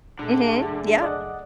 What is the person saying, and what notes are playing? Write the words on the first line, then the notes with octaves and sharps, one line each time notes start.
Mhm. Yup,
A#2 D3 A3 B3 G#4
F#1 F#2
D5 D#5 F#5